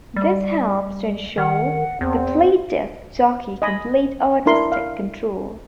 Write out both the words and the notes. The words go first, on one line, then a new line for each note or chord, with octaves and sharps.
This helps to ensure the Fleet disk jockey complete artistic control.
G3
D#3 F#5
E2 C4
D#5 G#5 B5
D4 E4 A#4 C6
F5